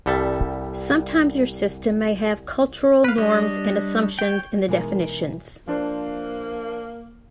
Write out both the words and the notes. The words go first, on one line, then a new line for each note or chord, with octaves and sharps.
Sometimes your system may have cultural norms and assumptions in the definitions.
C2 G3 A4 E5 A5
B4 F5
G3 D4 C#5 D#5
C#5 G5
B2 E3 G#3 D#4 A#4 G#5 A#5
F3 A#3 D4 C5